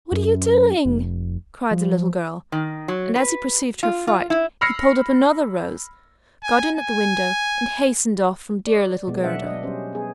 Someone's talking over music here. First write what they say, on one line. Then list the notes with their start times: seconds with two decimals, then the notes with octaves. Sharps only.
"What are you doing?" cried the little girl; and as he perceived her fright, he pulled up another rose, got in at the window, and hastened off from dear little Gerda.
0.12 F#2
0.85 F1
1.71 F3
2.52 D#3
2.88 F#3
3.16 B4
3.83 F4
4.07 F4
4.30 E4
4.61 B5 E6 F6 A#6 C7 C#7
6.43 G#5
6.76 G#5
8.67 D5
9.07 B2 G#3 B3
9.24 B2 F#3 D4 E5 F#5
9.43 D4 D#5
9.63 G3 C#4 C5
9.93 B3 G#4